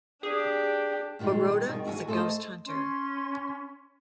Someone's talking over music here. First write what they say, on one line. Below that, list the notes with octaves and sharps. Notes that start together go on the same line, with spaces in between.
"Baroda" is a ghost-hunter.
D4 G4 G#4
A#2 D#3 F3 G3 G#3
B2 D#3 G3
E2 F#4 E5 G#5
A3 A4 C5 D5 D#5
C#4 C6